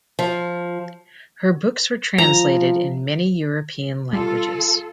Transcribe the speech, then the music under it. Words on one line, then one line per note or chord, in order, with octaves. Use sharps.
Her books were translated in many European languages.
F3
F3 A#5
G3 F4 A4